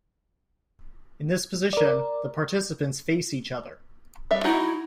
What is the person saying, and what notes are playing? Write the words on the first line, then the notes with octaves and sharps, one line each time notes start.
In this position, the participants face each other.
A#4 D5
G3 E5
D#4 E4 F#4